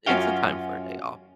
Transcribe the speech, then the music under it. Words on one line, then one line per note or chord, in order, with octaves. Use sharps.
it's a time for a day off",
F#2 C#4 F4 F#4 F5 G5